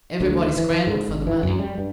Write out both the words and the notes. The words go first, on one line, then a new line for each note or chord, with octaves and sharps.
Everybody scrambled for the money.
D2
E3
E3
G#2
G#1
E3
F#2
G3
G2